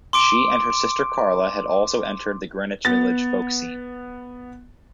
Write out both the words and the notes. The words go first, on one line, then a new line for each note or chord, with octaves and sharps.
She and her sister Carla had also entered the Greenwich Village folk scene.
C6 D6 D7
B3 A6